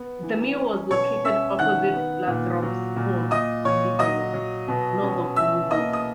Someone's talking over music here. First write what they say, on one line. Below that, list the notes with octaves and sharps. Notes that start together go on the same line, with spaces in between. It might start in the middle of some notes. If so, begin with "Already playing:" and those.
The mill was located opposite Lathrop's home on River Road, north of New Hope.
Already playing: B3
E3
C#4
B2 C#5 C#6
C#4 E5 E6
D#3 F#5 F#6
B3
A#2
F#3
A#2
A#2 D#5 D#6
A#2 C#5 C#6
F#3 D#5 D#6
F#3
B2
C#4
E3 E5 E6
A#3 D#5 D#6
D#6